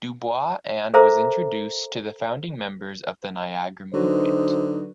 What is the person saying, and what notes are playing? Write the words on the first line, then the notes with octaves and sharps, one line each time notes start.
Du Bois and was introduced to the founding members of the Niagara Movement.
A4 A#4 C5 E5 A#5 D6
D3 F#3 D#4 F#4 B4 C5